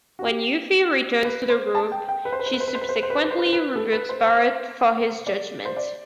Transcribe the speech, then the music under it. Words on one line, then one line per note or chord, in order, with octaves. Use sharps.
When Yuffie returns to the group she subsequently rebukes Barrett for his judgement.
F#4
G4
B4
C5
A5
G5
G5
B4
C5
B4
C5
B4
C5
B4
C5
B4
C5
B4
C5
B4
C5
B4
C5
B4
C5
B4
A4
B4
C5
C5
D5
C5
D5